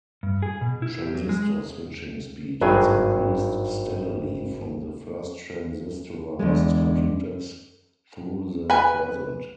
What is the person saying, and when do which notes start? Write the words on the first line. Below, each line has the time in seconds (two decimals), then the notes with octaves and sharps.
Transistor switching speed has increased steadily from the first transistorized computers through the present.
0.23 G2
0.42 G#4
0.61 B2
0.82 E4
1.02 G4
1.14 F#3
1.29 G#3
1.42 G#4
2.61 G#1 G2 F#3 G#4 G#5
6.39 E2 D3 G#3
8.70 B4 G#5